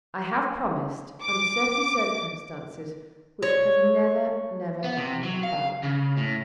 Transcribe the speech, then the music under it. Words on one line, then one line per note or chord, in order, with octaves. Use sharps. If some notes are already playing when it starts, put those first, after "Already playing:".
"I have promised under certain circumstances which can never, never come about."
D6
C#5
B3
C3
F#3
F5
C#3
A2